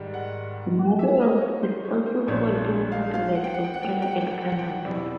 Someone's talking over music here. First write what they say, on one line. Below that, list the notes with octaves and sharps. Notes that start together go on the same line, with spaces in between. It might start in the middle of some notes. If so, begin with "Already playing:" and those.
"Warriors" is also sold in New Zealand, Australia, and Canada.
Already playing: G#2 D#3 G3
F#5
E5
D#5
C#5
C5
C#5
C5
A#1 A#2 F3 A3 D4 C#5
F5
F5
F#5
G5
F#5
G5
F#5
G5
F#5
G5
F#5
G5
F#5
G5
F#5
G5
F#5
E2 B2 G3 C4 E4 D5